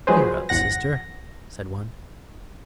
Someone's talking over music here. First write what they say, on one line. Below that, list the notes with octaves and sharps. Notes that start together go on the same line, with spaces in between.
"Cheer up, sister," said one.
F3 F#3 G#3 G#4 B4 C5
G1 E2 F#5 A#6